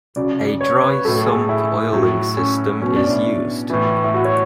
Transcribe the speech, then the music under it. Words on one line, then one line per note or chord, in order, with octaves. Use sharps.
A dry sump oiling system is used.
C#3 F#3 D5
D5
C#5
B4
A2 F#3 A4
G#4
E4
A2 F#3
C#4
B2 F#3 C#4
D4
E4
A2 E3
E4
F#4
C#5